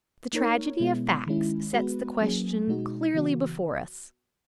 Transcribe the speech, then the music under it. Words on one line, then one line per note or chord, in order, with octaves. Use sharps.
The tragedy of facts sets the question clearly before us.
A#3 D#4 A#4 C#5
B2 G#3 B3 E4
D#3 G#3 C#4 E4
G#3 B3 F#4 B4
F#3 A#3 C#4 G#4
B2 G#3 D#4 F#4
C#3 E3 B3 F#4